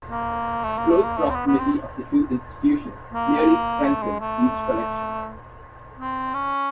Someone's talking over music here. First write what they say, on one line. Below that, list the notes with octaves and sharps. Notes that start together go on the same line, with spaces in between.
Close proximity of the two institutions clearly strengthens each collection.
A#3
A3
A#3
A3
A#3
A3
C4
B3
B3
C4
A#3
A3
G#3
A3
C4
C#4